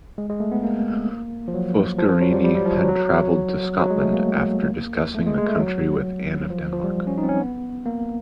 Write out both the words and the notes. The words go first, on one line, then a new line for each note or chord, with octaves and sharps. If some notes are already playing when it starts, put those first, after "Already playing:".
Foscarini had travelled to Scotland after discussing the country with Anne of Denmark.
G#3
G#3
A3
B3
A#3
F3
F#3
F3
F3
F#3
G3
G3
G3
F3
F#3
F#3
F#3
G#3
A3
A#3
A3
G#3
G#3
A3
F#3
F3
F3
G3
C#4
D#4
C4
C#4
B3
A#3